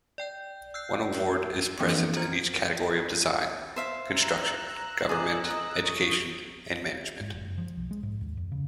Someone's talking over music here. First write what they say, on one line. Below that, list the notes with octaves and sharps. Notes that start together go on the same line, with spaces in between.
One award is present in each category of design, construction, government, education, and management.
D5 G5 G6
E6 F#6 G6 C7
E3 F3 A#3 C4 D4
F4 C5 G#6
C5 E5 F5
A#5 E6 F#6
G#4 D5
D#5
C#6 D#6 D#7
G#2
F1
F#1
F3
B1
G#3
G#2
D#2
F2
C#3